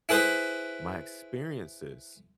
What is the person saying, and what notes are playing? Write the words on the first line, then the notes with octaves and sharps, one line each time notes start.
my experiences
E4 G#4 B4 C5